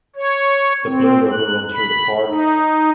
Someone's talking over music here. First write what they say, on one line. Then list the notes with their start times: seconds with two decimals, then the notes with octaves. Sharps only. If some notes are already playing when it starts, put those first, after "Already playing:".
The Blue River runs through the park.
0.16 C#5
0.85 C4
1.32 F#6
1.73 B5
2.27 D#4